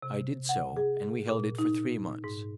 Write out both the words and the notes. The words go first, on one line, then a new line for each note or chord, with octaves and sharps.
I did so, and we held it for three months.
C3
F#5
G#4
A#2
D#4
G#2